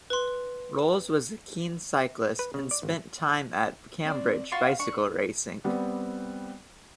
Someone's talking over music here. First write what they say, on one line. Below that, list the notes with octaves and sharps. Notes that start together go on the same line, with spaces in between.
Rolls was a keen cyclist and spent time at Cambridge bicycle racing.
B4 C6
B4
C#3
D5
G#1
C4 D5
F4 F#4 F5 C6
D4 C#6
G3 B3 C4 D5